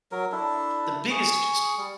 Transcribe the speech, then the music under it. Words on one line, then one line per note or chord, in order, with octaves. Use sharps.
the biggest
F#3 A#4
D4 E4 A4
G#4 C#6
G3